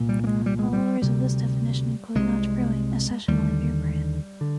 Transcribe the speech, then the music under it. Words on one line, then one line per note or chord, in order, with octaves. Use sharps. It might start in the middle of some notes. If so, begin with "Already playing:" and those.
Followers of this definition include Notch Brewing, a session only beer brand.
Already playing: C2 A#2
G3
A#3
G#3
G3
G#3
G3
D2 C3 G3
C2 C3 G#3
D#2 D3 G3
D3